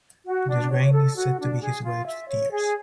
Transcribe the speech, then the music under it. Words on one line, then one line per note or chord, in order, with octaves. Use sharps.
The rain is said to be his wife's tears.
F#4
D4
C#5
A4
F#4
D4
G#4
F4
E5
C#5
G#4